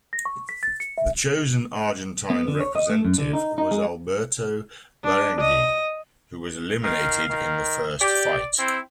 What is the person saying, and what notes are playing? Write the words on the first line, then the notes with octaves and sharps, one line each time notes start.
The chosen Argentine representative was Alberto Barenghi, who was eliminated in the first fight.
A#6
C#6
B6
A6
C#7
E5
B3
D3
C#5
D#5
A3
F#2
D3
D#4
D#4
G#3
D4
D#5
D#3 F5
D#3
G4 D5
C4 E4